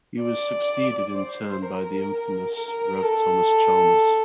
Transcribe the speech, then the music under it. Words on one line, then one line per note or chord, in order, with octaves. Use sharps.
He was succeeded in turn by the infamous Rev Thomas Chalmers.
D5
C5
A#4
A#4
A4